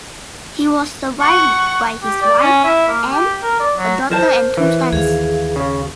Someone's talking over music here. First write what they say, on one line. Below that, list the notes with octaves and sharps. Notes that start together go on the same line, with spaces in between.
He was survived by his wife, Anne, a daughter and two sons.
F#5 C#6
G4
D5
C#4
E4
A#3
G4
A#4
D5
F#3
A#4 C5 A5
E3
D#2 G#4 F5
C#3